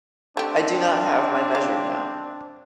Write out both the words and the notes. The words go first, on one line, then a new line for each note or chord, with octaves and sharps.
I do not have my measure now.
A3 C4 D4 G4
F5